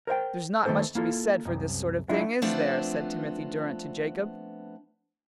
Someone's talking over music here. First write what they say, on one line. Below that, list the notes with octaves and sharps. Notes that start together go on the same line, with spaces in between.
"There's not much to be said for this sort of thing, is there?" said Timothy Durrant to Jacob.
A#4 C5 E5 G5
D#3 A3 B3 A4 C5
A#3 E4 F4 A4
C2 F#2
F#3 D4 E4 F4
F3 A3 B3 C4 D4 F4